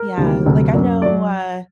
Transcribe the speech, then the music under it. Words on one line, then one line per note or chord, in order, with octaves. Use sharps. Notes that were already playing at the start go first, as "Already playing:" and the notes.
Yeah, like, I know, uh
Already playing: A#4
D2 C3 D#3 G3 A#3
D2 C3 F#3 A3
F#2 F#3 A#3
F#3 D5